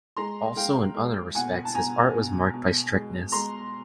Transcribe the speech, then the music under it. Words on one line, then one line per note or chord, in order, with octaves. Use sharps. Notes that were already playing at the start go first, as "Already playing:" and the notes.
Also in other respects his art was marked by strictness.
G#3 A#5 C6
G#3 F5 G5
G#3
B2 F#5 G#5
A5
B2 G#5 A#5
B2
B2
G#3
G#3 A#5 C6